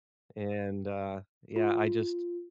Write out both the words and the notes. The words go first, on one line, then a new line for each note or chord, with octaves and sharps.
and uh, yeah, I just
F4